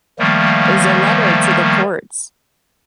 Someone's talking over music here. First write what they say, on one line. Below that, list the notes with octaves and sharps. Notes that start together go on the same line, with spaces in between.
is a letter to the courts.
D#3 F3 G3 A3 A#3